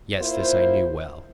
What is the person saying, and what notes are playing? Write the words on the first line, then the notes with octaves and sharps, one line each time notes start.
Yes, this I knew well.
A#3 E4 F4 C5